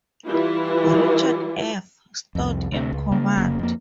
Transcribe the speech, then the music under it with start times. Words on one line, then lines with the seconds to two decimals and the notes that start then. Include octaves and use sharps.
Richard F. Stout in command.
0.25 E3 G3 E4 F4
2.35 C2 F2
2.72 D2 C3
2.93 C#2
3.11 C#3 A#3
3.37 F1 C#3 A#3
3.59 F2 A#3